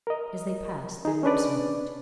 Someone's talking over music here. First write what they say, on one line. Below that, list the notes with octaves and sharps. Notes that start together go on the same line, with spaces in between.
As they passed their lips moved.
A#4 D#5
D#4 G#4
C#4 D4 B4 D5